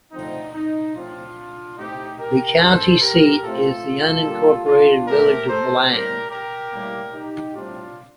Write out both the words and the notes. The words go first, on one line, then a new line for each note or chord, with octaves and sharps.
The county seat is the unincorporated village of Bland.
D3 F3 A3 C4 D#4
D#4
A2 F3 C4 D4 F4
A2 A3 C4 D#4 G4
G4 A#4
G2 D#3 A3 A4 C5
G4 A#4
A2 A3 C4 F4 A4
D3 G3 A#3
D4 F4
A#2 A3 C4 G4 A#4
A4 C5
A2 G3 C4 G4 A#4
G4 A#4
A2 G3 A#3
D#4 G4
A2 G3 C4 D4 F4